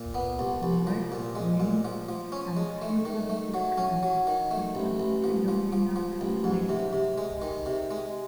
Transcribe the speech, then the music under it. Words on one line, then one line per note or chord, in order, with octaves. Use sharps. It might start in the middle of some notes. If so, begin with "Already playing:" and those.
Rex Reed had a few positive comments, but was predominantly negative.
Already playing: A#2
B3
C2
C2
F3
A#2
G#3
A#2
F3
F3
C#4
G#3
A3
D#3
A3
F#3
C#4
F#3
D#3
A3
A1
A1
F3
F3
F3
F3
A1
G#2
C3
C3
G#3
D#3
C3
G#3